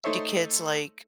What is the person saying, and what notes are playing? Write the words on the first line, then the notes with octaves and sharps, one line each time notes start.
do kids, like,
A3 D#4 A4 C5 C#5 E5